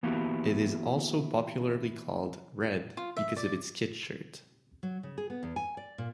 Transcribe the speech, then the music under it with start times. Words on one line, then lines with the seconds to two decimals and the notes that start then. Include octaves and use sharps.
It is also popularly called "Red" because of its kit shirt.
0.03 E3 A#3 B3 E4 F#4 G4
2.97 F4
3.17 E5
3.36 D5
4.83 F#3
5.03 C#3
5.18 G#4
5.30 B3
5.43 E2
5.56 G#5
5.77 D5
5.98 A#2